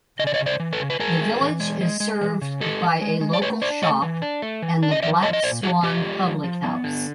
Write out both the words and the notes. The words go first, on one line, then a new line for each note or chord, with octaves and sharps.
The village is served by a local shop and the Black Swan public house.
C#3 D#5
D5
C#5 D#5
C#3
C5 D5
E3
A4 B4
C#3
B4
G#3 G#4 A#4
G#3
E3
G#3
G#3
G#3
E3
C#3
G#3 G4 A4
E3
G#3
G#3
D5
A3 B4 C#5
D4 C5 D5
A3 C#5 D#5
E3
D4
A3
E3
D4
D#5
F3 D5 E5
F3 C#5 D#5
D#5
A#2 C5 D5
F3 F#4 G#4
F3 F4 G4
G#3
F3
F3
B3
D3